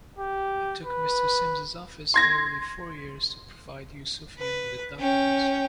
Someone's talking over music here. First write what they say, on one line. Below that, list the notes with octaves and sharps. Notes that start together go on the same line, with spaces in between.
It took Mr Sims's office nearly four years to provide Yousoufian with the documents.
G4
B4
C6 G#6 A#6
B4
C#4 G5